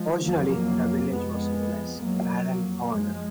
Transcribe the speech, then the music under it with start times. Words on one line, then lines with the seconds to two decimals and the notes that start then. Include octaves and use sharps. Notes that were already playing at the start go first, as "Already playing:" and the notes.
Originally the village was known as Warren Pond.
Already playing: F3 G#3
0.21 F2 F#3 A#3
1.11 F2 G#3 B3
1.99 F2 F#3 A#3
2.88 F#2 F3 G#3